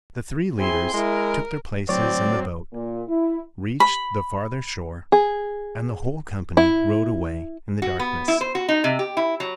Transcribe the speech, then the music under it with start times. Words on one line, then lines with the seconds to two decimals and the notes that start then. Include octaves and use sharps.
The three leaders took their places in the boat, reached the farther shore and the whole company rode away in the darkness.
0.59 C4 E4 G#4 G#5 C6
0.94 G#3 E4 A#4
1.89 D2 A2 F#3 C4 C#5 D5
2.72 A#2
3.08 E4
3.80 B5
5.12 G#4
6.57 E4
7.82 F#4
7.99 B3
8.28 E4
8.41 C5
8.55 F#4
8.69 D#4
8.84 C3
8.99 G4
9.17 E4
9.40 F#3